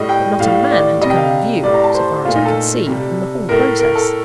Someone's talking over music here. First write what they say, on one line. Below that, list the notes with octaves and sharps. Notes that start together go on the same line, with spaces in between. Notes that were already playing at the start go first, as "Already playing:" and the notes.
But not a man had come in view, so far as I could see, in the whole process.
Already playing: A2 G3 D#5
G5
A2 G3 F5
D5
C3 G3 D#5
G5
F5
A2 G3 D5
A#5
A5
C5
A#2 A3 F4
D#4
A4
C3 G3
A2 A3 A#4
A#4
A4